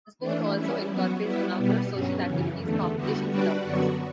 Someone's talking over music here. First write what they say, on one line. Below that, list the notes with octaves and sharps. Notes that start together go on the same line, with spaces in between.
The School also incorporates a number of social activities, competitions and outings.
E3 A3 D4
G3 C#4 E4
F#3 B3 F#4
G3 B3 E4
B2 G3 B3
G2 F#3 C#4
F#2 C#3 E3
E2 D3 A3
D3 G3 B3 F#4
G3 D4 F#4 B4 D5
F#2 D3 F#3 B3 F#4